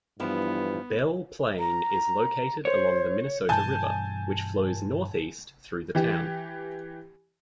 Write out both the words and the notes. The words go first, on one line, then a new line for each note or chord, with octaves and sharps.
Belle Plaine is located along the Minnesota River, which flows northeast through the town.
G2 E3 F3 B3 E4
A#5
C5 C#5
G2 B2 E3 G#5 A5 G6
E3 G4